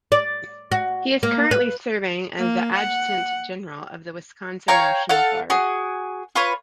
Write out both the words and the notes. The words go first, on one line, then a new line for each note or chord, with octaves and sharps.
He is currently serving as the adjutant general of the Wisconsin National Guard.
D5
F#4
A#3
B4
A#3
F#5
C#5 F5 G5 A#5
A4 F5 F#5
F#4 G#4
F4 B4 C#5